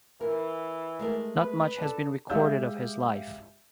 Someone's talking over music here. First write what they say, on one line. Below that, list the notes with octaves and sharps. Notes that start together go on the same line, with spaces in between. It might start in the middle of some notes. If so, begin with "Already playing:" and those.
Not much has been recorded of his life.
E3 A#4
G#3 A3 A#4
B4
D4 A4
G#3 G4 E5 F5 E6 G6